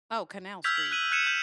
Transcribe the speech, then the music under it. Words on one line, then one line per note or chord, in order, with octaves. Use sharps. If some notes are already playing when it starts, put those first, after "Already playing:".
Oh, Canal Street.
E6 F6 G6 G#6 B6 F7
F#7
F#6 D#7 F#7
F#6 G#6 C#7 D#7 E7
G6